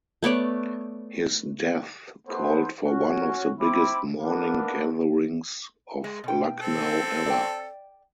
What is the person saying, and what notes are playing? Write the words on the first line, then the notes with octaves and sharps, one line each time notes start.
His death called for one of the biggest mourning gatherings of Lucknow ever.
A3 B3 C#5 D5
A3 B3 C5
C#4 F#4
C4 E4 B5 D6
A#3 B3 D4 A#4
G#3
B2 G5
C4 A4
D5 G5